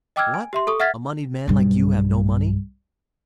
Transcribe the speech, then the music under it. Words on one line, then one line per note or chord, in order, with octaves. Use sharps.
"What! a moneyed man like you have no money?"
D#5 G5 D6 E6 F6 G#6
G#5
G4 E5 C6
A4 C#6 D#6
E5 F#5 F6 G#6 A6 B6
B1 G2